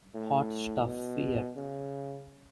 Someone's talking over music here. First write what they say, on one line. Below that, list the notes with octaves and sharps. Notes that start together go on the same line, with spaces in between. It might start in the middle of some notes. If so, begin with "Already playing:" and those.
Hot Stuff feat.
A2
B2
C#3